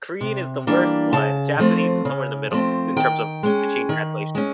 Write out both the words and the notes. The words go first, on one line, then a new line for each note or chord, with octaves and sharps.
Korean is the worst one. Japanese is somewhere in the middle, in terms of machine translation.
C3
E3 G3 A#3 D4
C#3 A5
F3 A3 C4
C#3
F3 A3 C4
D#3 G5
G#3 C#4
D#3
G#3 C#4